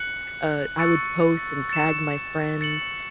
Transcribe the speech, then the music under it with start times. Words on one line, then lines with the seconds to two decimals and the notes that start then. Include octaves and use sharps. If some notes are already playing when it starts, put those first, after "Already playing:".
uh, I would post and tag my friends,
Already playing: F#6 C#7 F#7
0.78 C#6 E6 A6 C#7
1.69 A6 C#7 E7
2.61 A6 C#7 F#7